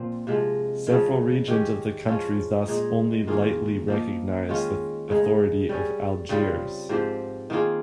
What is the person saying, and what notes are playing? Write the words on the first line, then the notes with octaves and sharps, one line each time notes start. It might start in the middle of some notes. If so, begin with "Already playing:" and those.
Several regions of the country thus only lightly recognize the authority of Algiers.
Already playing: A#2 F3 C4
C3 F3 G#3
C#3 F3 G#3
D#3 G#3 C#4 G4
F3 G#3 C#4 F4
A#2 G#3 D#4 G#4
D#3 A#3 F4 G#4
F3 A#3 D#4
D#3 G#3 C#4 F4
C#3 G#3 D#4
G3 C#4 G#4
C#3 G3 C4 F4
G#2 F3 C4 G4
D#3 A#3 F4 G#4